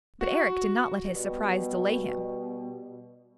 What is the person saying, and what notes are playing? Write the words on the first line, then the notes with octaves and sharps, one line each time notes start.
But Eric did not let his surprise delay him.
F#4
B2 G3